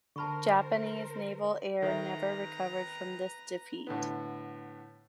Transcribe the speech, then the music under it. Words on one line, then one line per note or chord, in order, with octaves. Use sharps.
Japanese naval air never recovered from this defeat.
D3 A#4 C5 A5 B5 C#6 F6
D#3 A4 B4 C5 E5 A#5
A2 D3 B3